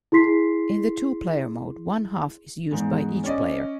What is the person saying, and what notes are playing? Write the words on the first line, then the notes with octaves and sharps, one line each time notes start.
In the two-player mode one half is used by each player.
E4 G#4 C6 B6 C7
E2 G#2
C#4 D5 D#5